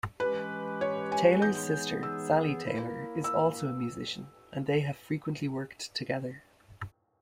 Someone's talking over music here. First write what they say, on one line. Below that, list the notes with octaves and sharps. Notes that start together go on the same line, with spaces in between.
Taylor's sister, Sally Taylor, is also a musician and they have frequently worked together.
E3 G#3 C#4 G4 B4
C#5
G#5
E3 G#3 B3 D#4 G#4 G6
E6
A#3 E4 A#4
E6